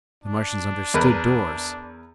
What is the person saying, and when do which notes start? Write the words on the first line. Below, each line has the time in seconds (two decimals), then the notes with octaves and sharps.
The Martians understood doors!
0.24 D4
0.94 E2 A#4 B4